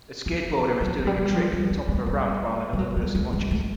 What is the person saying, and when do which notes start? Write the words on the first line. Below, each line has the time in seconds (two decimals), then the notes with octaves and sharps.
A skateboarder is doing a trick at the top of a ramp while another person watches.
0.26 F3
0.81 F#3
0.98 F#3
1.07 G3
1.17 G#3
1.25 G3
1.35 F3
1.53 G3
1.71 G#3
1.88 G#3
2.06 G3
2.73 G3
2.79 F#3
2.97 G3
3.15 G#3
3.33 G#3
3.51 A3